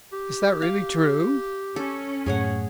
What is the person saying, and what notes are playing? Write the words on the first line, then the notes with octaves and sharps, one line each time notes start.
"Is that really true?"
G4
F5
C#4 A4
F#2 A2 G#4 C#5 F#5